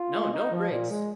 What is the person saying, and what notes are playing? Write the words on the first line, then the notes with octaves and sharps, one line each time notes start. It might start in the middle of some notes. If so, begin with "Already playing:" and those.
No, no breaks.
Already playing: F4
G#3
D#4
F3
A#2
G#3